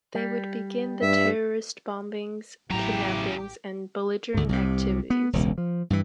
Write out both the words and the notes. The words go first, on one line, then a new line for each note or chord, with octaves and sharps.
They would begin the terrorist bombings, kidnappings and belligerent activities.
G3
G2 E5
A1 E2 A2 C#3 F#3 E4 G4 A#5
D2 G#2
C2 C3
B3
E1 C#2
F3
G2 E3